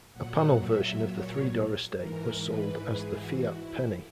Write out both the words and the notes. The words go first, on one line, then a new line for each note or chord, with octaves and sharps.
A panel version of the three-door estate was sold as the Fiat Penny.
A#2 F#3 F#5
E5
C#5
G#2 E3 A#4
B4
G#4
F#4
E4